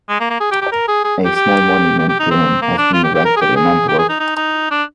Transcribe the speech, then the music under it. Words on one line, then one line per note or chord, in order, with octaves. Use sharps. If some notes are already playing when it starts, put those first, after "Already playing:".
A small monument to him has been erected in Antwerp.
G#3
A#3
A#3
G#4
G4
G4
A#4
G#4
G#4
G4
G4
G4
G4
D#4
C4
A#3
D4
F4
G4
G4
A#4
G#4
G4
G#4
G4
G#4
D#4
D#4
D#4
D4